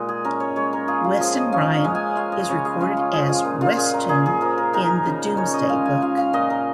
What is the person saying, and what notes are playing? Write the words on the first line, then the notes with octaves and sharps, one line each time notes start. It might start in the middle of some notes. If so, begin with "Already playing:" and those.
Weston Rhyn is recorded as "Westune" in the Domesday Book.
Already playing: A#2 G#3 D#4 D#5
G#4
C#4 A#4
C#5
G#3 C#5
A#4
F4 G#4
F4
F3 G#4
D#5
C#4 F5
F5
G#3
G#5
F4 F5
D#5
C#3 C#5
G#4
C#4 F4
F4
F3 G#4
F4
A#2
F4
A#2 G#4
A#4
A#3 G#4
G#4
F3 A#4
A#4
D#4 A#4
C#3
C#4 C#5
D#5
G#3 F5
G#5
F4 F5
F5
A#2 D#5
A#4